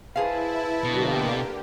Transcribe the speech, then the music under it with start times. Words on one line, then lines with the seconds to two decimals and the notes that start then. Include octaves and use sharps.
We all need it.
0.16 E4 G#4 B4 C5 F5 A5
0.84 B2 D3 A#3 G4